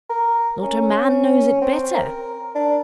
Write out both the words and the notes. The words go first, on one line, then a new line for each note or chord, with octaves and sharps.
Not a man knows it better.
A#4
C#4
C4
A#4
D4